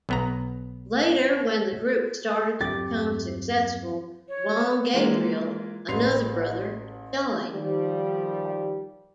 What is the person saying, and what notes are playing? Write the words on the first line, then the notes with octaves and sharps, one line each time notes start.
Later, when the group started to become successful, Juan Gabriel, another brother, joined.
B1 B3 A#5
E2 G2 F#3 C4 D4 G4 G5 A6
C#5
E3 G#3 A#3 F4
A1 B4 C6 C7 F7
D#3 F3 G3